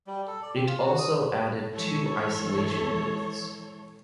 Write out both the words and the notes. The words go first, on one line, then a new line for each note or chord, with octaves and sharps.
It also added two isolation booths.
G3
A4
D5
C4
F4
F#4
D#6
E3 G#3 A4 C#5